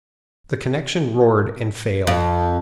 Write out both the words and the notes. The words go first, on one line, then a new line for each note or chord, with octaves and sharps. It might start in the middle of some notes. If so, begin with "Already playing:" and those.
The connection roared and failed.
F2